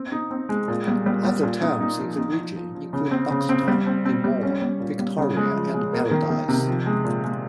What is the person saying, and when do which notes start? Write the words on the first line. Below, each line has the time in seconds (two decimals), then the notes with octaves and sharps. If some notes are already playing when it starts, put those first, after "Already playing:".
Other towns in the region include Buxton, Enmore, Victoria and Paradise.
Already playing: C4
0.12 D#4
0.31 C4
0.49 G#3
0.68 A#2
0.88 G3
1.06 G3
1.25 G3
1.43 A#2
1.62 D#4
1.80 D#4
1.99 F3
2.18 D#4
2.37 F3
2.56 F3
2.74 F3
2.93 C#3
3.11 C4
3.30 C#3
3.49 C4
3.68 G3
3.86 C4
4.05 C4
4.24 G3
4.43 C#4
4.62 G3
4.80 A#2
4.99 G3
5.18 C#3
5.37 G#3
5.55 F3
5.74 G#3
5.93 A#3
6.11 D#3
6.30 D#3
6.49 C3
6.68 F3
6.86 G#3
7.05 A#2
7.24 G#3